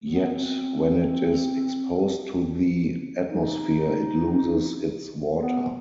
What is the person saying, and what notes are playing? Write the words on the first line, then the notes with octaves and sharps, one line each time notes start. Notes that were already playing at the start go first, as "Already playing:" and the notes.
Yet when it is exposed to the atmosphere it loses its water.
B3
C4
D#4
B3